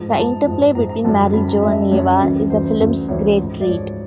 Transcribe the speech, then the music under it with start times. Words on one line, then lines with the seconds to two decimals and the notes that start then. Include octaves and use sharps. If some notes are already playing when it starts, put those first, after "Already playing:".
The interplay between Mary Jo and Ava is the film's great treat.
Already playing: G#2 F3
0.11 A#5
0.16 G#2 F3 A5
0.46 G#2 F3
0.75 G#2 F3 A#5
0.89 A#5
1.04 F#2 D3 G3 A5
1.33 F#2 D3 G3 B5
1.48 A#5
1.62 F#2 D3 G3 E5
1.72 D#5
1.92 F#2 D3 G3 C#5
2.20 D2 C#3 E3 G3
2.50 D2 C#3 E3 G3 C5
2.65 C5
2.79 D2 C#3 E3 G3
3.08 D2 C#3 E3 G3 C#5
3.38 G#2 F3
3.61 D5
3.67 G#2 F3 C#5